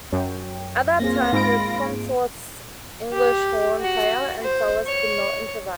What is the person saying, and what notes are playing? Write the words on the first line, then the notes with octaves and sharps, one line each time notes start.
At that time, the Consort's English horn player and cellist did not improvise.
F#2 C#5 G5
A#3 C4 F4 G#4 C#5 A#6
G#2 F5 B5 D7
G4
F#4
C5
C#5